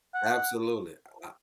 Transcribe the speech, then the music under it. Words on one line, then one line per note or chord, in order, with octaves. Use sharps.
Absolutely, I
F#5